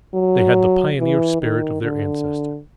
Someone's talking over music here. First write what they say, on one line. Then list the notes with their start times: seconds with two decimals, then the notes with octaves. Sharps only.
They had the pioneer spirit of their ancestors.
0.14 F#3
0.99 E3
1.41 D#3
1.83 D3